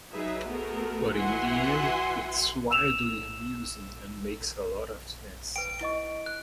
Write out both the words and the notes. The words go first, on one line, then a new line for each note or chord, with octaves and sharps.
But in the end, it is wildly amusing and makes a lot of sense.
F#3 D#4 G#4 B4 E5
A3 B3 F#4 G#4 A#4
E3 F#4 E5 F#5 G#5 C6
E6 E7 F7
B4 G5 D7
E4 D#5 C#6
F#6